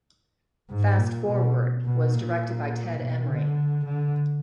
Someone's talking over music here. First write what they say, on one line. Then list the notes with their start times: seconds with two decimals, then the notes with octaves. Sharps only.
"Fast Forward" was directed by Ted Emery.
0.70 G#2
0.98 A#2
1.27 B2
1.84 B2
2.13 A#2
3.00 B2
3.29 D3
3.85 D3